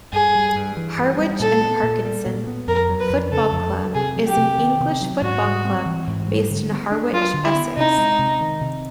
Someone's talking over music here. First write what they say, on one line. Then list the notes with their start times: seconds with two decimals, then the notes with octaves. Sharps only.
Harwich and Parkeston Football Club is an English football club based in Harwich, Essex.
0.13 G2 G#4
0.35 G3
0.56 G2
0.77 E3
0.98 G2
1.19 G3
1.40 A#2 A4
1.61 B3
1.83 A#2
2.05 G3
2.26 A#2
2.47 B3
2.67 F2 A#4
2.89 F#3
3.00 B4
3.10 F2
3.31 C#3 A4
3.52 F2
3.73 F#3
3.94 C3 G#4
4.16 F#3
4.27 G4
4.37 C3
4.58 D#3
4.80 C3
5.01 F#3
5.22 G#2 F#4
5.44 G3
5.65 C4
5.86 E3
6.07 G#2
6.28 G3
6.50 D3
6.71 B3
6.92 D4
7.12 F#3 F4
7.34 D3
7.44 E4
7.55 B3
7.77 C3 D#4
7.98 G#3
8.19 C3
8.41 D#3
8.61 C3